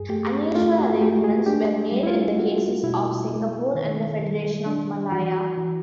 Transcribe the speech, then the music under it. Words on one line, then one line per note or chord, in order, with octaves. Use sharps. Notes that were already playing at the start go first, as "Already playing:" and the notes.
Unusual arrangements were made in the cases of Singapore and the Federation of Malaya.
Already playing: G2 G#4
A3 G4
A3 F4
F#4
A3 G4
G#4
D4 G4
G3
E4
F4
A#3 F#4
B2 E4
A#3
D#3
G3
D4
E3 F#4
E3